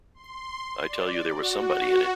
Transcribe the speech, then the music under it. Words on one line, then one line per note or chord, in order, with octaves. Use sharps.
I tell you there was somebody in it.
C6
D5
F#4